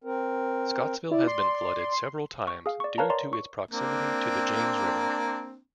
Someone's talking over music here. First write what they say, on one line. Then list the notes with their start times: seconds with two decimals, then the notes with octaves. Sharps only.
Scottsville has been flooded several times due to its proximity to the James River.
0.04 C4 A#4
1.11 E4 D5
1.27 C6
2.47 C#6
2.66 G#4 F5
2.80 D5 C#6
2.98 A#4 B4 C#5 F5 A5 A#5
3.10 C#5 D5 A#5 C6
3.33 C#6
3.71 A#3 C4 D4